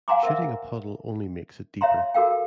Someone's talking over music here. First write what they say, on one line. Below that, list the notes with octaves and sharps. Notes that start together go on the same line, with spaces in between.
Shooting a puddle only makes it deeper.
F5 F#5 G#5 A#5 C6 D6
A#4 C5 E5
C#5 E5 F5 A#5 C6
F#4 A4 A#4 F5 G5